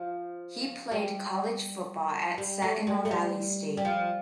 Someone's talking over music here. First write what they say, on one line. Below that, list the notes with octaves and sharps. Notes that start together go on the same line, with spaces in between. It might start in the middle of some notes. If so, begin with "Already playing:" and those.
He played college football at Saginaw Valley State.
Already playing: F3
G3
G3
A3
G3
A3
G3
G3
F3